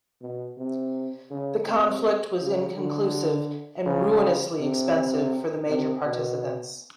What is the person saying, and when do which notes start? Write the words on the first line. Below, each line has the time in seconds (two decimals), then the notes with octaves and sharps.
The conflict was inconclusive and ruinously expensive for the major participants.
0.21 B2
0.57 C3
1.31 C#3
1.66 C3
2.40 C#3
2.77 D3
3.86 C#3
4.59 C3
5.68 C3
6.06 B2